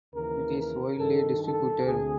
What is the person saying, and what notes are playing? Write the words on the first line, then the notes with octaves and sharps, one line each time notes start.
It is widely distributed.
D#2 C#3 E3 A#4
A#4
G2 D#3 A4
A4
D2 C3 G#4